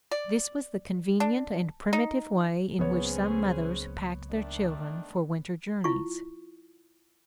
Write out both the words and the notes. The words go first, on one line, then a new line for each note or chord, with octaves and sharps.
This was the convenient and primitive way in which some mothers packed their children for winter journeys.
D5
D4
D#4
C#2 F#3 A#3 B3 C#4 G#4 C5 C#5
D#3 A3 D4
E4 F4 C#6